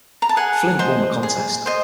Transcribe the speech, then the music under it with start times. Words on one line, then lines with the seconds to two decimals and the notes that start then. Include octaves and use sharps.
Flint won the contest.
0.22 A#5
0.29 A5
0.36 G#4 F#5 G#5
0.79 C5 D#5
1.23 G#4
1.66 C5 D#5